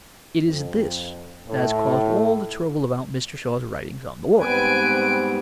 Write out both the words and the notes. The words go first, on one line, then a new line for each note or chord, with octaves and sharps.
It is this that has caused all the trouble about Mr. Shaw's writings on the war.
F2
A2
G#2 G3 B3 C4 B4 G#5 D7